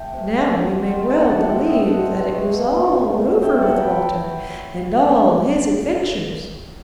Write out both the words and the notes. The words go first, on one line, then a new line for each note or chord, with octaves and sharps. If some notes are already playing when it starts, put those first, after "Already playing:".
Now you may well believe that it was all over with Walter and all his adventures.
Already playing: A3 G5
C3
D#3
F#3
C4
D#3
C3 F#5 A5
C3 F#5 A5
G3 E5 G5
C3 D#5 F#5
C4 D#5 F#5
B2
A3
B2
G2
D#3
D#3
F#3
B3 E5 G5
B3 F#5 A5
F#3 G5 B5
G5